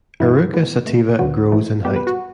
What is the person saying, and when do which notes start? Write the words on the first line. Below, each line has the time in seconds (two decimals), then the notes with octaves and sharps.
"Eruca sativa" grows in height.
0.20 G2 E3 B3 E4
0.54 A2 E3 B3
0.86 B2 A3
1.19 D2 D3 F#3 B3 F#4
1.52 A2 E3 A3
1.85 B2 G3 B3 G4
1.96 B4
2.07 F#4